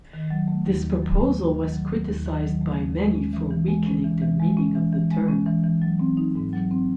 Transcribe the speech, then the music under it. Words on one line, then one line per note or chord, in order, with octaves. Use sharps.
This proposal was criticized by many for weakening the meaning of the term.
D#3
F#3
A3
D#2
D#3
F#3
A3
D#2
D#3
F#3
A3
D#2
D#3
F#3
A3
D#2
G#3
C#4
E3
E3
G#3
C#4
E3
E3
G#3
C#4
E3
E3
G#3
C#4
E3
E3
F#3
C4
D#4
G#2
F#3
C4